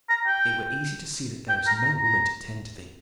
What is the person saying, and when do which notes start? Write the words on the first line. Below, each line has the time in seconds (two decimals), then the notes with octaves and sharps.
It were easy to see that there is no woman to tend to thee.
0.09 A#5
0.27 G5
1.49 G5
1.67 A#5
1.85 A#5
2.03 A#5